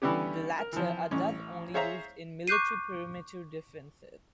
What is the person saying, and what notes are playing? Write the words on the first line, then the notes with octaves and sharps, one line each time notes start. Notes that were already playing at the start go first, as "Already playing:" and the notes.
The latter are thus only used in military perimeter defenses.
D3 E3 G3 B3 C#4 G4
A#4
E3 F3
A1 C#4
G#4 C5 C#5 E5 F5 A#5
C#6 D6 F#6 G6 C7 D#7